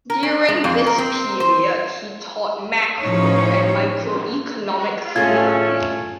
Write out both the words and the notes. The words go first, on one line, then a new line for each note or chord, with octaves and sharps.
During this period he taught macro- and micro-economic theory.
A#4
C#4
G#3
F2
A#4
C4
C5
A2 F3 C#4 D#4 C#5
A2 A3 C#4 F4 G#4 G#6